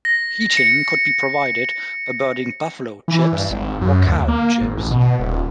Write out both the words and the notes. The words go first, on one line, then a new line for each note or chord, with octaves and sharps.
Heating could be provided by burning buffalo chips or cow chips.
A#6
C#7
E3
G2
G#1
F#2
D2
A#3
G#1
A1
B2
D#1